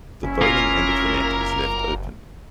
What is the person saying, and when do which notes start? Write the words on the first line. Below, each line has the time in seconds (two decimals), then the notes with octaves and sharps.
The bowling end of the net is left open.
0.24 F#1 C#4 E4
0.41 A#3 F4 A#4